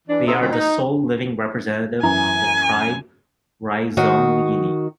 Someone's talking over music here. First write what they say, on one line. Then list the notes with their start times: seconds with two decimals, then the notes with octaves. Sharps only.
They are the sole living representatives of the tribe Rhizomyini.
0.08 E3 D4
0.26 C3 B3 C4 D#4 A4 E5
0.40 A#2 D3 F#3 C4
0.52 D#4
2.03 F#2 E3 G#5 A#5
3.97 D#3 F#4 D#5 F#5